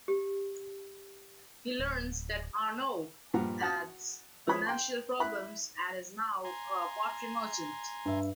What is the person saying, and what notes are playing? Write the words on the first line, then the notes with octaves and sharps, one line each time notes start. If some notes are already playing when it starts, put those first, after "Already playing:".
He learns that Arnoux has financial problems and is now a pottery merchant.
G4
D1
G2 A#2 F3 F#5 A#5
F#4 F#5 A5 D#6
F3 B4 C#5 B5 D#6
G5 C6
E4 B5 F#6
G#5 A#5 C6
G2 E5